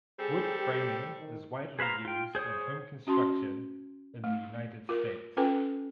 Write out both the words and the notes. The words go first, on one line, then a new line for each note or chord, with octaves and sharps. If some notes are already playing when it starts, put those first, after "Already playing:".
Wood framing is widely used in home construction in the United States.
G3 C4 G#4 A4
G4
D#3
G#4 B4 C5 F5 A#5
F4 G5
G#4 C5 C#5 D#6
C#4 F#4 A5 C6
A3
F4 A#4
C#4 F4 A4 B4 G5 G#5